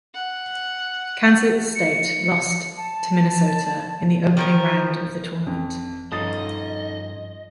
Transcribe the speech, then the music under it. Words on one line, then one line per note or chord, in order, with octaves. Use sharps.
Kansas State lost to Minnesota in the opening round of the tournament.
F#5
C#7
A5
D#3 F3 A#4
F2
G2 F3 C#4 D#4 A4 D#5 D#6 A6